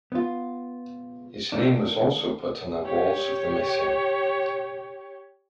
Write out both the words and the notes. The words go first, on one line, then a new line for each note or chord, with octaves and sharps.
His name was also put on the Walls of the Missing.
B3 F4
D#3 A3 A#3 D4
G4 C#5